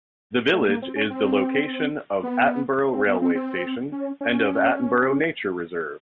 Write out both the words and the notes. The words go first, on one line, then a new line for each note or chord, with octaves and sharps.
The village is the location of Attenborough railway station and of Attenborough Nature Reserve.
A3
A#3
C4
C#4
C4
B3
C4
B3
C4
C4
C#4
C#4